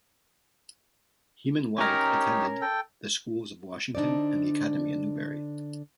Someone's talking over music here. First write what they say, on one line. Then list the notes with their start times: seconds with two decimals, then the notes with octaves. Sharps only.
Heman White attended the schools of Washington and the academy in Newbury.
1.78 C#4 D#4 G4 A#4 C#5
2.62 A4 G5
3.95 D3 D4 D#4 C5 D5